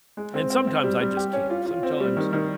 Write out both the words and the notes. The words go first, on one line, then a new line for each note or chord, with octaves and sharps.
and sometimes I just can't, sometimes,
G#3
C4
C4
C4
G3
G3
G4
C#4
F4
F4
C4
G3
D#3
D#3